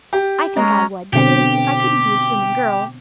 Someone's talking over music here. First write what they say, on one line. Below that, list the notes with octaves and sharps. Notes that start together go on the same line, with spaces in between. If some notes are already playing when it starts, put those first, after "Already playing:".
I think I would--that is, if I couldn't be a human girl.
G4
G#3 C#4 A#5
B2 D3 C4 G4